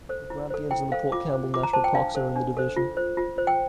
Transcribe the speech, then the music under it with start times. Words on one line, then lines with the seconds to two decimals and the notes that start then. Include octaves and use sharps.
The Grampians and the Port Campbell National Parks are in the division.
0.09 A4 C5
0.30 E4
0.50 A4 C5
0.71 E4 G5
0.92 A4 C5 F5
1.12 F4 D6
1.33 C5
1.54 F4 D6
1.63 A#5
1.73 C5 A5
1.84 G5
1.94 D4 F5
2.15 A4 C5
2.36 D4
2.57 A4 C5
2.76 F4
2.97 C5
3.17 F4
3.38 C5
3.47 G5